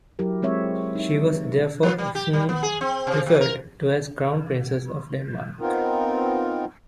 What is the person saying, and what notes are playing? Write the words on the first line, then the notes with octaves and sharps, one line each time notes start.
She was therefore often referred to as Crown Princess of Denmark.
F#3 E4 G4 A#4
G#3 C4 C#5 E5
D#4 E5
F3
G3
G4
G3
B3
G#4
C4
C3
B2
A#4
B3 C4 D#4 F4 A#4